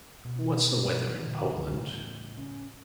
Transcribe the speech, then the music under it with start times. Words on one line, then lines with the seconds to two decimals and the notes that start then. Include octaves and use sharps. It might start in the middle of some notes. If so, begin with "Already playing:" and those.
What's the weather in Poland?
0.25 B2
1.22 A#2 D3 E3
1.53 F1 C#2 F#2 D3
1.72 A2 C#3
2.38 C#4